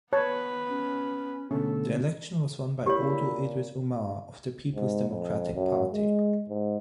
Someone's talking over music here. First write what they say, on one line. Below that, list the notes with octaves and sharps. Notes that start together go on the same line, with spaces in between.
The election was won by Audu Idris Umar of the Peoples Democratic Party.
B3 B4 C#5 A5
C#4
B2 D3 A3 C#4 A4
A#2 E4 G4 C#5
G#2
F2
F#2
G#3
G#2